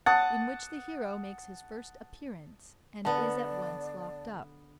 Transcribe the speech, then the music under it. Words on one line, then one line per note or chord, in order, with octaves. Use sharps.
In which the Hero makes his first Appearance & is at Once locked up.
F#5 A5 D#6
D3 B3 D5 A5